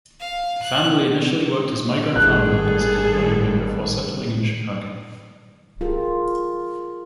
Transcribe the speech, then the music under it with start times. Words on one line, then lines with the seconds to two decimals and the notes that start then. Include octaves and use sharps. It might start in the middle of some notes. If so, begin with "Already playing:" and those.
The family initially worked as migrant farm workers in Wyoming before settling in Chicago.
0.20 F5
0.63 F#6
2.16 G#1 D#3 G3 G#4 A4 F#6
5.81 F4 G4 G#4 A#4